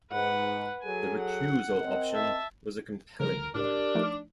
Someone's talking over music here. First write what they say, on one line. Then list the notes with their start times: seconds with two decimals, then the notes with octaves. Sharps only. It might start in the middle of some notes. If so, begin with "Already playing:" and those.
The recusal option was a compelling one.
0.12 G#2 B4 F#5
0.83 F#3 G#4 A4 G#5
1.21 F#5
1.80 C4 A#4 D#5
2.12 E5 A5
3.20 C#3 F3 G3 A#4
3.55 A2 D4 G4 A#4
3.95 F3 A3 D#4